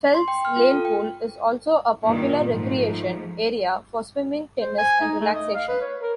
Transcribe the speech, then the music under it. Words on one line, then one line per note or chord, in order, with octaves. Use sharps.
Phelps Lane pool is also a popular recreation area for swimming, tennis and relaxation.
C6
G5
F6
F4
A4
G5
G2 A#2 D#3
G#2 F3 A3
C5
G#5
D#4
A3
D#5
F5
B4
C#5
A#4